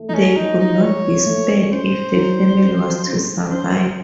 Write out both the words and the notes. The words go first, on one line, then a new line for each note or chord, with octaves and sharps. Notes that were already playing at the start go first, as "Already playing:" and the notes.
They could not be spared if the family was to survive.
Already playing: A3
D#4
C#4
F3 D#4
D#4
F3 C#5
A3
C#4 C5
F#3
C#4
C#4
C#4 C5